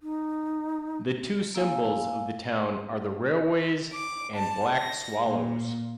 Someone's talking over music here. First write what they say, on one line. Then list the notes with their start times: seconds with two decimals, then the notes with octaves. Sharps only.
The two symbols of the town are the railways, and black swallows.
0.01 D#4
1.55 A#3 E4 F5 G#5
3.93 D6
4.35 A5
4.74 A#6
5.25 A#2